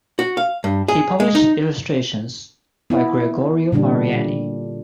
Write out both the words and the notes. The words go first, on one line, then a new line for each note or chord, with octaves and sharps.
He published illustrations by Gregorio Mariani.
F#4
F5
G2
G#4
G#3
D#4
B3 E4
A#2 D3 G3 D4